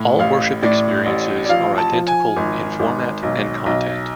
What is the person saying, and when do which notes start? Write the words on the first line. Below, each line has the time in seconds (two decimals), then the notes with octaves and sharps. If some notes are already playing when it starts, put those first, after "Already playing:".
All Worship Experiences are identical in format and content.
Already playing: A2
0.18 A1 F5
0.62 A2 D5
1.05 A1
1.44 D5
1.49 F3 F5
1.78 A5
1.92 F3
2.07 G#5
2.36 G#1
2.79 G#1
3.23 B1
3.66 B1